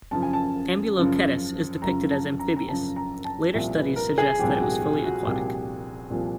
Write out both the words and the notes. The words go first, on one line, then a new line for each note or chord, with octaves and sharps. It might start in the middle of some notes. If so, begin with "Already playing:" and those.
Ambulocetus is depicted as amphibious; later studies suggest that it was fully aquatic.
F#2 C#3 F3 A5
G#5
A5
F#2 C#3 F3
F#2 C#3 F3 A#5
A5
A#5
A#5
F#2 C#3 F3 A5
A#5
A5
C2 A#2 F3 E5
B4
A#4
G#4
C2 A#2 F3 G4
F#4
F#4
F4
F#4
C2 A#2 F3 G4
C2 A#2 F3